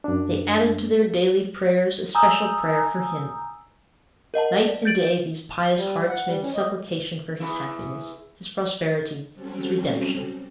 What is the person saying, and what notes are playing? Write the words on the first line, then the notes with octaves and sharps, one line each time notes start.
They added to their daily prayers a special prayer for him; night and day these pious hearts made supplication for his happiness, his prosperity, his redemption.
F#2 D4
G#5 A#5 D#6 E6 G6
A#4 D#5 F#5 A5
D5
G6 A6 D7 F#7
G3
F#5
G3
C#4
D#5
E4 G#4 B4
F#3 G3 C4 C#4 F#4 A4